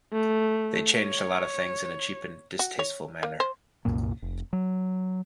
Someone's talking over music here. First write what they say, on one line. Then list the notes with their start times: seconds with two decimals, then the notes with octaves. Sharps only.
They changed a lot of things in a cheap and distasteful manner.
0.13 A3
0.98 C#5
2.59 F#4
2.79 C#5
3.23 A#3
3.40 C5
3.85 C2 F#2 A#2 A#3
4.22 F1
4.53 F#3